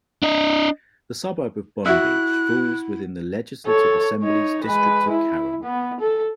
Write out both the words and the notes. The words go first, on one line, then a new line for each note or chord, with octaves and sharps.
The suburb of Bonbeach falls within the Legislative Assembly's District of Carrum.
D4 D#5
E4 F#4 E5 F#6
A4 C#5
D#4 C#5
G#3 B4
E4
B3
A4